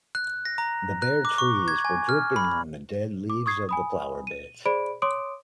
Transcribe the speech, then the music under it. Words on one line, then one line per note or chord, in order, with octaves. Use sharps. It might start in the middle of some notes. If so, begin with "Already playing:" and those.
The bare trees were dripping on the dead leaves of the flower beds.
F#6
A#6
A#5
F#6
D6
C#6
G#6
G#5
F6
B5
D6
C#6 D#6 G#6 C7
G#5 B5 D#6
D#7
G#4 C5 D5 B5 D7
C#5 C6 D6 D#6 D7